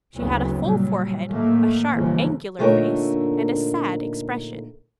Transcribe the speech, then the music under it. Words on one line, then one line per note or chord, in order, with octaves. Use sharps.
She had a full forehead, a sharp, angular face and a sad expression.
F#1 D2 F#3 B3 C4
A#2 F#3 G3
A2 D#3 A3 A#3
G1 D#2 C#3 E3 F3
A#2 D3 A3 D#4 A#4 C#5